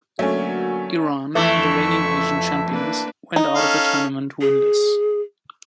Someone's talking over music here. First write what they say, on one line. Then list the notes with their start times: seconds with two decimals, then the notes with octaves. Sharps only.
Iran, the reigning Asian champions, went out of the tournament winless.
0.19 D3 F#3 A3 A#3 C#4 F#4
1.35 F2 E3 A3 E5 C#6
2.70 A#3 D4 B4
3.36 D#4
3.56 C#4 A4 F5
4.41 G#4